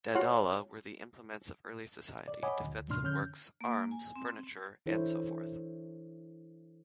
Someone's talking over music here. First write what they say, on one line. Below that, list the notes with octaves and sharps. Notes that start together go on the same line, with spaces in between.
Daidala were the implements of early society: defensive works, arms, furniture, and so forth.
F4 F#4 C#5
D5
C#5 D#5 F#5 G#5 B5 D6
D2
E2 A2 C3 D4 C6 F6
F2 D3 C#4 F6 G6
A#3
G#5
C4
E3 D4 E4 A4 C5 C#5